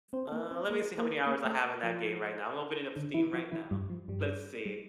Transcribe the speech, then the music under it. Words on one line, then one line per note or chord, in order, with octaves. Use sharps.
Uh, let me see how many hours I have in that game right now; I'm opening up Steam right now. Let's see,
C4 C5
A4
A#3 A#4
C4 C5
A#3 A#4
A#3 A#4
A#3 A#4
A3 A4
F3 F4
D3 D4
E3 E4
F3 F4
E3 E4
G2 G3
F3
G2 G3
G3